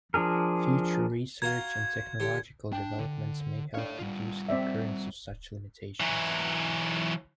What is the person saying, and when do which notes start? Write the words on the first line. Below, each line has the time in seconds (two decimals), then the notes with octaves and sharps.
Future research and technological developments may help reduce the occurrence of such limitations.
0.14 F3 D4 G#4 A#4
1.42 F4 F#4 A#5 G#6
2.20 D3 G4
2.73 D4 G5
2.99 D3
3.74 D4 A4 C#5 F5
3.99 G3 F4
4.49 C4 D5 E5
6.00 E3 F#3